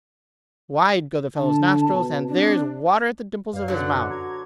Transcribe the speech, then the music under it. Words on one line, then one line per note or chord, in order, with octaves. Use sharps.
Wide go the fellow's nostrils, and there's water at the dimples of his mouth!
D3 A5
B2
C4 D4
F#2 B4 D5 F5
D3 F#3 B4 C#5 D5 F#6
F#4 A#5 G#6